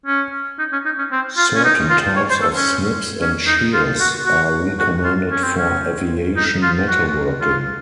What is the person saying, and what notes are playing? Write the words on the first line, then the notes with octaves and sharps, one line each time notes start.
Certain types of snips and shears are recommended for aviation metalworking.
C#4
D#4
C#4
D#4
C#4
C4
F4
C#4
D#4
F4
C#5
C5
A4
C#4
C#4
D#4
F4
F#4
F#4
F#4
F4
C#4
C4
C#4
D#4
F4
F#4
F4